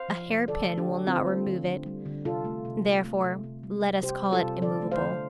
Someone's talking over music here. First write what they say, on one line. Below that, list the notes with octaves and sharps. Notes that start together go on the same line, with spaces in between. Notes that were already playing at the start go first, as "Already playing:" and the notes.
A hairpin will not remove it; therefore let us call it immovable.
Already playing: C5 F5
F3
C3
D3 A4 D5
A3
D4 G4
D3
D3 C4 F4
A3
D3
D3
G3
D3
C3 F4 A4
A3
C3
C3
A3
C3
C3
G3
C3
C3 G4 C5
G3
F4 A4
C3
D3 A4 D5
A3
C5 F5
D3